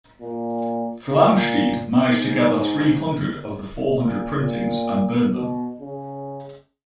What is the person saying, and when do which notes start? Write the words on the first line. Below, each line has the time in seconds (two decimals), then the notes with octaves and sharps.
Flamsteed managed to gather three hundred of the four hundred printings and burned them.
0.21 A#2
1.14 A#2
2.08 G#2
3.94 A#2
4.41 A#2
5.34 B2
5.81 C#3